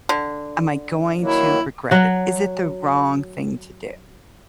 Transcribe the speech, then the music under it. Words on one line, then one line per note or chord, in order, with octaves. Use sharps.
am I going to regret it? Is it the wrong thing to do?
D3
D#3 F#3 A#3 E4
F#3 F#4